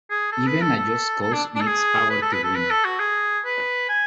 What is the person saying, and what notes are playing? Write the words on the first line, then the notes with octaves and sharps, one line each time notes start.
Even a just cause needs power to win.
G#4
A4
B4
A4
A4
A4
D4
D4
A4
G#4
B4
A4
B4
A4
B4
A4
F#4
G#4
B4
G#5